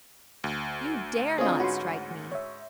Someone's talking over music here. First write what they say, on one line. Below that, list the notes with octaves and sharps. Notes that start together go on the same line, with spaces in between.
You dare not strike me!
D2
C4 D4 F4 G#4 C#5 D#5
G#2 C#4 F#4 B4 C6
C#5 E5